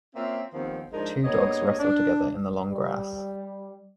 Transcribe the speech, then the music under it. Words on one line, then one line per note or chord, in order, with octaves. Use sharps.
Two dogs wrestle together in the long grass.
A#3 C4 C#4 F4 E5
D#2 D#3 F3 B3 C4
G#2 F3 G#3 D4 D#4 A#4
G2 A#3 B3 G#4 C#5 D#5
D4
G3